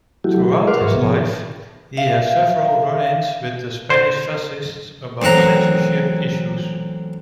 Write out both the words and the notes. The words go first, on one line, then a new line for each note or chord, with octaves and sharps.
Throughout his life, he had several run-ins with Spanish fascists around censorship issues.
F#3 A3 E4 F#4 G4
G#4 D#5 E5
A#4 B4 F#5 C6 D6 F6
G#2 G#4 A#4 E5 C#6
A2 C3 F3 B3 G#4
E5 F5
C5
A1 F#2 C4 F#5 A#5